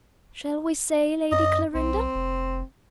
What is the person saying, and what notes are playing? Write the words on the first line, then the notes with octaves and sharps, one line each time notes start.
Shall we say Lady Clarinda?
F#2 D#5
B1 C4
F1